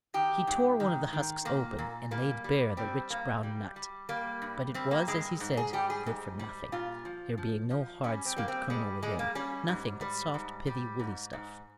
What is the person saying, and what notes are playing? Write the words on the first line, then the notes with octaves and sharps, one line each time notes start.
He tore one of the husks open, and laid bare the rich brown nut; but it was, as he said, good for nothing, there being no hard sweet kernel within, nothing but soft pithy woolly stuff.
D#3 G4
G#2
D#3
D#3
A#2 A#3
A#2
G3 A#3
G3
G3 C4
G2 A#3
G3
G3
G3 A#3
G2
G3 C4
A#3
G2 G#3
G#2
G#4
G3 G4
G#4
G#2
G3
A#2 F4
F3
F3
F3
G3 C#4
C4
G3 A#3
C4
G3 G#3
G3 G#3
A#3
G3 C#4
G#2
G3
G#2
G3
G#2
G#2